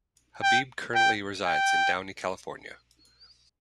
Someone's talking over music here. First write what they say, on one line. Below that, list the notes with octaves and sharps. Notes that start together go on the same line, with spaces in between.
Habib currently resides in Downey, California.
G5
G5
G5